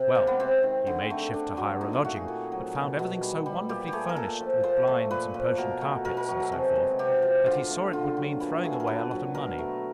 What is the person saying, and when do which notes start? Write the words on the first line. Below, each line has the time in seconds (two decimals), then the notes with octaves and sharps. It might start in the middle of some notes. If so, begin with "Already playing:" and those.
Well, he made shift to hire a lodging, but found everything so wonderfully furnished with blinds and Persian carpets and so forth that he saw it would mean throwing away a lot of money.
Already playing: C3
0.15 G#3 A#3
0.27 B3
0.40 C3 C4
0.63 D#3
0.87 D3
1.10 A3
1.34 D3 D4
1.57 F#3
1.81 A#2 D#4
1.93 F4
2.04 A3 F#4
2.16 G#4
2.28 A#2
2.52 F#3
2.75 B2
2.99 B2
3.22 G3
3.46 G3
3.69 A#2 G4
3.88 G4
3.93 A3 G#4
4.09 A#4
4.16 A#2 A4
4.40 F3
4.63 A#2 C5
4.87 A3
5.11 A#2 B4
5.34 F3
5.58 B2 A#4
5.81 A3
6.05 B2 A#4
6.17 A#4
6.28 F#3
6.40 A4
6.52 C3 G#4
6.76 G#3
6.99 C3 G4
7.22 F3
7.46 D3 F4
7.70 A3
7.93 D3 F4
8.17 F#3
8.40 A#2 B4
8.64 A3 G#4
8.73 A4
8.80 A#4
8.87 A#2 B4
9.11 F#3
9.34 B2 A#4
9.58 A3